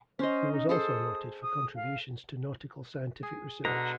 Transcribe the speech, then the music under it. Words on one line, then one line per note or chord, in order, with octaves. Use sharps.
He was also noted for contributions to nautical scientific research.
C#4 C5 D#5
D#4
G#4 A4 C5 D#6
D#6
F5
G#4
B2 D3 A#5